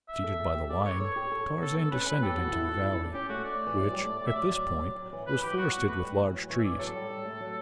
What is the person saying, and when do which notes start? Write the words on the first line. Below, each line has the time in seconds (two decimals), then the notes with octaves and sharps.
Preceded by the lion Tarzan descended into the valley, which, at this point, was forested with large trees.
0.09 E5
0.24 A4
0.40 A4
0.54 G4
0.70 A4 D5
0.85 B4 C#5
1.00 A4 C#5
1.16 G4
1.32 A4
1.47 A4
1.61 B3 A4
1.77 B3 A4
1.91 C#4 B4
2.07 E4 B4
2.22 G4 A4
2.38 F#4
2.53 E4
2.68 F#4
2.84 E4
2.99 D4
3.14 C#4 G4
3.29 A3 F#4
3.44 D5
3.67 E3
3.80 F#3
3.92 G3
4.05 A3
4.21 G3
4.27 E5
4.35 F#3 D5
4.51 F#3
4.67 G3
4.81 F#3
4.96 F#3
5.13 E3
5.27 F#3 B4
5.43 E3 G4
5.58 F#3 F#4
5.68 G3
5.73 F#4
5.78 B3
5.88 A3 B4
6.03 G3
6.19 E3
6.34 F#3
6.49 E3 C#5
6.58 E5
6.64 D5
6.79 F#3 A4
6.95 G3
7.10 G3
7.25 A3
7.40 F#3